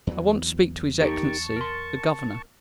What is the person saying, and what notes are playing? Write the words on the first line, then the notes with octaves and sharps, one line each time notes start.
"I want to speak to his Excellency, the governor."
E2 E3 F#3
D#4 G4 A#4 A5 C#6
A#4 C6